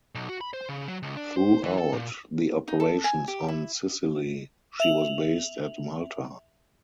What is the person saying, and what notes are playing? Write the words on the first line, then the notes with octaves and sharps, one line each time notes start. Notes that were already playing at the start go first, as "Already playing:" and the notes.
Throughout the operations on Sicily, she was based at Malta.
B1
F#4
B5
C5
C#3
F#3
C#2
D4
C5
E3
A4
A#2
D#4
A4
G#5
G4
E4
E5 F7 F#7